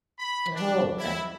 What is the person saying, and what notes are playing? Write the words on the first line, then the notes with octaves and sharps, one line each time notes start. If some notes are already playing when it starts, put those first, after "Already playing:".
Oh, 'kay.
B5
D4
E4